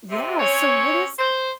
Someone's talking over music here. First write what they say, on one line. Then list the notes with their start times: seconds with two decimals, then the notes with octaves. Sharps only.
yeah, so what is
0.10 C3
0.39 C4 C#4 C#5
1.19 C5